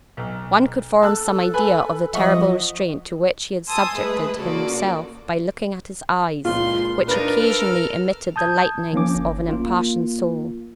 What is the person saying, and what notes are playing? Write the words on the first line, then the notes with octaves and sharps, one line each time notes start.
One could form some idea of the terrible restraint to which he had subjected himself by looking at his eyes, which occasionally emitted the lightnings of an impassioned soul.
B1
A4 A5 E6 F#6
B4 G#5 B5
F3 D#5 E5 F#5 C#6
G#5 A5 C6 D#6 E6
G#3 A3 G#4 B4
C#3 A#3 F4 F#4 A4 D5
C#2 A#2 F4 C6
D4 D#4 A#4 B4 B5 A6
A4 F6
A5 D#6 G6 G#6
F3 A#3 C#4 D6
G1 C#4
A#3 F4